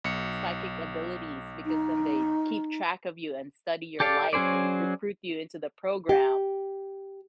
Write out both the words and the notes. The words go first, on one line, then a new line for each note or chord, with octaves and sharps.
psychic abilities, because then they keep track of you and study your life, and recruit you into the program."
B1 C#7
D#4
G4 A4 D5 F5
F#3 C#4 G#4 C5 D5
G4